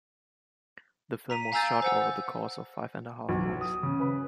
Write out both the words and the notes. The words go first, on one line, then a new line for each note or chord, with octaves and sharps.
The film was shot over the course of five-and-a-half months.
A#5 B6 D#7
F5 G#5 A#5 E6 G6 A6
C5 F#5 E6
B1
D#6
C#3
B4